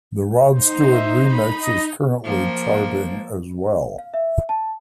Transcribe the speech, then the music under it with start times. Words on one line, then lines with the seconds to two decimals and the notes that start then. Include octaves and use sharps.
The Rod Stewart remix is currently charting as well.
0.53 D#4 C5
0.92 E5
1.32 B5
1.63 D#5
2.24 F3 A#3
3.98 F5
4.14 E5
4.49 A5